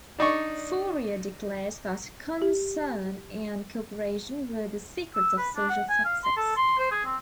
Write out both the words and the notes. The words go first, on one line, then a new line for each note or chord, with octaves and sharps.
Fourier declared that concern and cooperation were the secrets of social success.
D4 D#4 D5 C#6
G4
E6
B4
D4
F#5
G#5
F5
C6
A4
C6
C5
G#4
C4